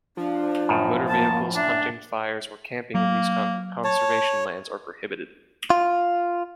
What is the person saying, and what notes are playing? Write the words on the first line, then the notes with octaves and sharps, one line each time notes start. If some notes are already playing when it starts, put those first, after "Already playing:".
Motor vehicles, hunting, fires, or camping in these conservation lands are prohibited.
F3 D4
F#2 A2 D#3
A#3 A5
D4 E5
F#3 A#3
C#5 A5
F4